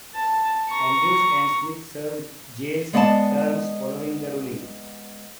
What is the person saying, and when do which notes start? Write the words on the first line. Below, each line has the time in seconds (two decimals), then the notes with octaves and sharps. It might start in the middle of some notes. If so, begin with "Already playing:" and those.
Andrews and Smith served jail terms following the ruling.
0.15 A5
0.69 A#5 C#6
2.93 G#3 B3 D5 D#5 G5 A5